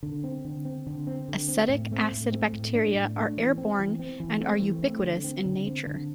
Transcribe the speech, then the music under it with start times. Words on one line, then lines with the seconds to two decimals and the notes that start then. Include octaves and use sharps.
Acetic acid bacteria are airborne and are ubiquitous in nature.
0.03 D3
0.24 C4
0.45 D3
0.65 C4
0.87 D3
1.07 C4
1.28 D3
1.48 C4
1.69 A2
1.91 A3 C4
2.12 A2
2.32 A3 C4
2.53 A2
2.74 A3 D4
2.95 A2
3.16 A3 D4
3.37 E3
3.58 C4
3.79 E3
3.99 C4
4.20 E3
4.41 A3 C4
4.62 E3
4.83 A3 C4
5.04 D3
5.24 C4
5.45 D3
5.66 C4
5.87 D3